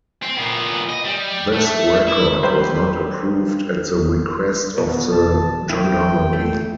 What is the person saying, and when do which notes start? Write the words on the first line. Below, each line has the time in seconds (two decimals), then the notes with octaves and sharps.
This record was not approved at the request of the Gendarmerie.
0.23 C4
0.38 A#2 B3
0.89 D#5
1.05 G3
1.53 A3
2.07 E4
2.43 F#3 G3 B4 C5
4.78 B2 B3
5.11 A5
5.70 E4 G5
6.33 A3